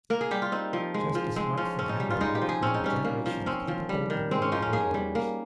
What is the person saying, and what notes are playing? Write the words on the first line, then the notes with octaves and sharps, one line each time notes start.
Justice Mark Fernando helped groom a generation of capable and honourable lawyers.
A#3 A#4
G#4
G3 G4
F4
C4 D#4
F3
G#3
F3
G#3 C4
F3 C#4
C4 C#4
D#4
G3
F4
G#3 D#4
G4
F3
G#4
C4 C#4
D#4
G3 C#4
A#3
F3
C4 C#4
F3
G3
D#3
G#3 C4
C#4
F3 D#4
C#4
A#3 G#4
G3
A#3